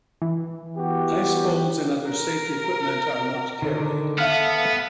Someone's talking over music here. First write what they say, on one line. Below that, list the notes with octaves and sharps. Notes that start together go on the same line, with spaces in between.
Ice-poles and other safety equipment are not carried.
E3
B3 F#4 G4
A#4
D3 D#3
B3 A4 E5 F5 F6